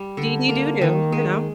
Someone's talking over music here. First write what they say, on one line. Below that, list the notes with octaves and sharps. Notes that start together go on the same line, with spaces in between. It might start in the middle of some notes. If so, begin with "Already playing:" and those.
Dee Dee, Doo Doo, you know?
Already playing: G3
D3
A#3
D#3
G#3